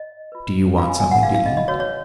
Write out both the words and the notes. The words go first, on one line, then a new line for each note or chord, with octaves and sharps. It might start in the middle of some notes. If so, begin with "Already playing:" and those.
Do you want something to eat?
Already playing: D#5
F4 B4
C#4 F4 B4 F5
G#5
G#5
F#5
D#4 G#4 B4 F5
F5
D#5
D#5
F#4 B4 C#5
C#5